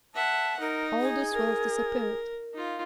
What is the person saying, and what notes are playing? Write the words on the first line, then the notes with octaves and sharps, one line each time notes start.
All this wealth disappeared.
E5 F#5 A5
D#4 A#4
G#4
A#4
D#4 F4